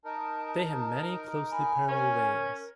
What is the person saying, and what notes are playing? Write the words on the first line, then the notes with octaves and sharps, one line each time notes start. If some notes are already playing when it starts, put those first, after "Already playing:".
They have many closely parallel veins.
D#4 A#4 A5
G#5 B5
C#4 A#4